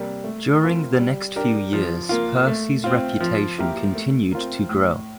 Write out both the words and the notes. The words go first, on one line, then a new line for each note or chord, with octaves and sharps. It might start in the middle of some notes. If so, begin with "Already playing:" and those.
During the next few years Percy's reputation continued to grow.
Already playing: C3 G3 A#3
A3
C4 F4 A#4
G3
D4 G4 A#4
F3
A#3 F4
A3
C4 F4
F3
A#3 E4 G4 A#4
A3
C4 F4 A#4
A2